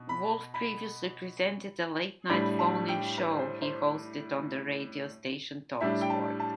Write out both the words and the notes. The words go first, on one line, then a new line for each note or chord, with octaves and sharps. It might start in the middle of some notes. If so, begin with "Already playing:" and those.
Wolf previously presented a late-night phone-in show he hosted on the radio station Talksport.
Already playing: B2
B5
B5
A2 G3 D4 B5
A5
G5
B4
C5
C5
A2 G3 D4 E5
G5
A5
A5